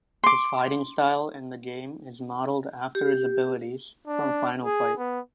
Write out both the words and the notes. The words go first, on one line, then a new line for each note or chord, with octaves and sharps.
His fighting style in the game is modeled after his abilities from "Final Fight".
C6 D6
G4
D4
G#4
B3